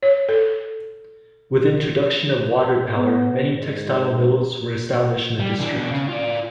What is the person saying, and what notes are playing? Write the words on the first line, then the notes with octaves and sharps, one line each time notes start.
With the introduction of water power, many textile mills were established in the district.
C#5
A4
B3
G#2
G3
E3 D4
B2 D4
C#3
F4 D5